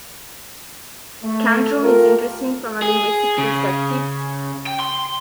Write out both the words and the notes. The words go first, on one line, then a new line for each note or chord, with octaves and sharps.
Kantrum is interesting from a linguistic perspective.
A3
F4 G4 A4 A#4
G#4
C#3
G5
C6